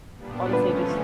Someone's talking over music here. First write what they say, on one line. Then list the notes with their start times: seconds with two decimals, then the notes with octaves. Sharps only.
honestly, just
0.16 A#2 G3 B3 D4
0.53 D3 F3 A3 C#4 B4